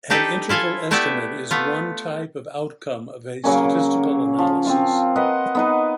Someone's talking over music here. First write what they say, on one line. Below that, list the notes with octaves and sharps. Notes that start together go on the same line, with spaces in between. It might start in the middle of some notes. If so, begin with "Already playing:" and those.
An interval estimate is one type of outcome of a statistical analysis.
D4 D#4 G4 A4 B4
E4 F4 A4 F5 G#5
A3 B3 E4 G4 D5 E5
A3 B3 F4
C#3 F#3 A#3 C#4
F3
C4 F4 C#6
A#4 B4 D#5 F#5
B3 D#4 B4